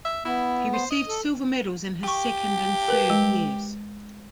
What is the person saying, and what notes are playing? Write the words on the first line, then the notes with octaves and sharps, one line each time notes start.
He received silver medals in his second and third years.
E5
B3 E4
C5
D#5
A4
G4 G5 C#6
A#4 B4
G#3